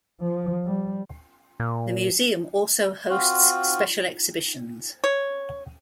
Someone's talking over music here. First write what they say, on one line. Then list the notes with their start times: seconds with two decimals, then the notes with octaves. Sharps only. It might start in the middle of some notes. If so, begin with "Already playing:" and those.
The museum also hosts special exhibitions.
0.21 F3
0.65 G3
1.60 A#2
3.10 C4 F4 F#4
5.04 C#5